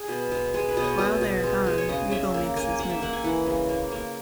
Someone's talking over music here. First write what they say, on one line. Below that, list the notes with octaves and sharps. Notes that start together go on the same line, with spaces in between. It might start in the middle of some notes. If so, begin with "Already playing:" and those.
While they are gone, Regal makes his move.
Already playing: G#4
B2
G#3
G#3 G#4
B4
B2 D#5
C#5
B2 D#5
B2
G#3
G#3
C#5
C#3 D#5
C#3 E5
A#3
A#3 G#5
A#3 F#5
E5
A#3 F#5
G#5
E3 F#5
C#3
A#3
A#3